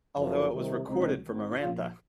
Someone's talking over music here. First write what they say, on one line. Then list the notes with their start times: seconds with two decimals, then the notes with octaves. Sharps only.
Although it was recorded for Maranatha!
0.16 F#1 F#2 F3
0.52 C2 C3 D#3
0.88 C#2 C3 F#3 C4 D#4
1.24 G#1 G#2 D#3
1.60 A#1 A#2 F3 C#4 F4